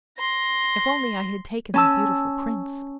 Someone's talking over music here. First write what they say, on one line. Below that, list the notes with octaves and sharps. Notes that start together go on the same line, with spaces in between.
'If only I had taken the beautiful Prince!
C6 A#6
C#4 A5 E6